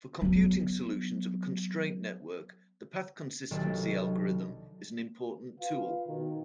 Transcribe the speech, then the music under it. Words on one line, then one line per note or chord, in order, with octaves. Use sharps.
For computing solutions of a constraint network, the path-consistency algorithm is an important tool.
F#3 B3
B1 C3 D#3 F#3 D4 A4
F4 B4 F5
B2 D#3